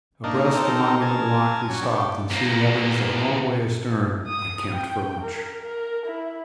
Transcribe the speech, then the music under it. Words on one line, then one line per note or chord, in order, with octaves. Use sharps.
Abreast the Monument Rock we stopped, and seeing Evans a long way astern, I camped for lunch.
A#3 D4 D#4
C4 D#4 A4 A#4
A#4 G#5 A5
F#3 C#4
D4 G4
E2 A#3
D#6
G5
A#4
A#4
E4